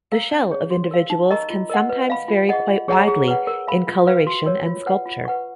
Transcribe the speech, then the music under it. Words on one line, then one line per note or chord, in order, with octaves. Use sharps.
The shell of individuals can sometimes vary quite widely in coloration and sculpture.
A#4 F5 A#5
C#4
G#4 C#5
F#4
A#4 F5
D#4
A#4 D#5 A#5 C#6
F4
A#4 D#5 F#5
B4
F5 B5
F4
G#4 D#5 F#5
F4
G#4 C#5 F#5 A#5
G#4
B4 F#5
A#4
F5 B5
F4
B4 F5
F#4
A#4 C#5
F4
B4 F#5
F4
B4 F#5 C#6